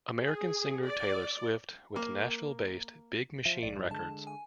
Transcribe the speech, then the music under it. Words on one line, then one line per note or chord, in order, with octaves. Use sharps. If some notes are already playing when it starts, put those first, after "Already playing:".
American singer Taylor Swift with Nashville-based Big Machine Records.
G#4
D5
A#3
F3 E5
A#1 G#2 D5
G2 F3
D3 G#3 A5
G#5